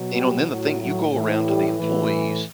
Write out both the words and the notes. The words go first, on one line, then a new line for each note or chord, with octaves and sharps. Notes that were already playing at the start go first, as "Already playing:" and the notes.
You know? And then the thing you go around to the employees
Already playing: B2 F#3
G3
A2 F#3
F#3
A2 E3
G3
E3
A2